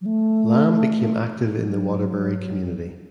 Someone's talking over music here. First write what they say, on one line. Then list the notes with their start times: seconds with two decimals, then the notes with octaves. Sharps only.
Lamb became active in the Waterbury community.
0.01 F#3
0.06 A3
1.64 F#3